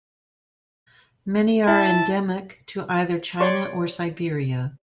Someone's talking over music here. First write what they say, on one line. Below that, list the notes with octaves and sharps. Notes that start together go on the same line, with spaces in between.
Many are endemic to either China or Siberia.
E4 A5
G4 C#5 D5 C6 C#6